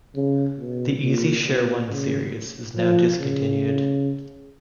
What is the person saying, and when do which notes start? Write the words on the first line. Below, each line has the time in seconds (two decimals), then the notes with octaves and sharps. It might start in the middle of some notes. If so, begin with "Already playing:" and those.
The EasyShare-One series is now discontinued.
0.15 C#3
0.60 B2
1.02 A#2
1.46 B2
1.90 C#3
2.76 F3
3.19 C#3